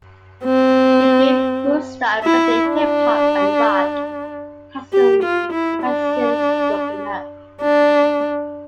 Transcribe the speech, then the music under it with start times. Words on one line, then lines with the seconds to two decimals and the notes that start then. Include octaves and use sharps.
The group, whose style blended hip-hop and rock, has since broken up.
0.44 C4
2.23 E4
2.69 D4
4.93 G4
5.23 F4
5.52 E4
5.83 D4
7.62 D4